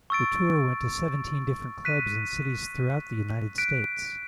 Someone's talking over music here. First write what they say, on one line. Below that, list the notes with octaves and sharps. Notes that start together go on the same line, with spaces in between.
The tour went to seventeen different clubs in cities throughout the United States.
C#6 E6 A6 D7
F#6 B6 D#7
F#6 B6 D7